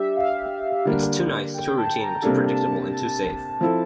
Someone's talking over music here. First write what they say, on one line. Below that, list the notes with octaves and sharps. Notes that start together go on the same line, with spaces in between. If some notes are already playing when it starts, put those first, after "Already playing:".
It's too nice, too routine, too predictable, and too safe.
Already playing: G3 D4 G4 E5
F5
D3 G3 A#3 D4
G5
A5
A#5
C3 G3 A#3 D4 A4 A5
A5
A5
F3 C4 E4 A4